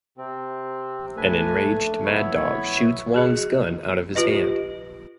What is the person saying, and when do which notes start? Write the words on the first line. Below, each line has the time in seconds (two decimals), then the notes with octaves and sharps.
An enraged Mad Dog shoots Wong's gun out of his hand.
0.17 C3 C4
1.17 A3 D4 B4 G#5
2.04 B3 E4 C#5
3.14 F#4 G#4 D#5
4.15 F4 G4 B4 D#5